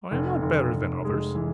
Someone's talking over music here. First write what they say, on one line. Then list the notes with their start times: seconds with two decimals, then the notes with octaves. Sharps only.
I am not better than others.
0.11 F1
0.42 F1
0.73 F1
1.05 G#3
1.35 E3